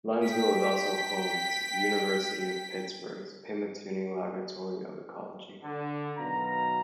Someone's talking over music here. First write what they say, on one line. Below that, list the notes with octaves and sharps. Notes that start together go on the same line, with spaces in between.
Linesville is also home to the University of Pittsburgh's Pymatuning Laboratory of Ecology.
G5 B6
D3
B2 D#3 F#3 F5 A#5